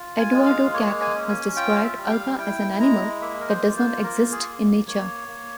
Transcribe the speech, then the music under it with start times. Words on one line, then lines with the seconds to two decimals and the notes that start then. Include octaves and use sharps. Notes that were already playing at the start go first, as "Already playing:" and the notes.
Eduardo Kac has described Alba as an animal that does not exist in nature.
Already playing: F4
0.19 G#5
0.32 G#3
0.46 F5
0.73 A#3 C#5
1.01 G#5
1.15 C#4
1.29 G#5
1.56 F4 G5
1.83 E5
1.98 G3
2.06 G5
2.11 F5
2.39 E4 G5
2.80 G#3 A#5
3.21 A#3 E5
3.40 A#4
3.49 C5
3.63 F4
3.77 C5
4.04 A#3 A#4
4.32 G#4
4.46 A#3
4.87 A#3 C#5
5.28 A#3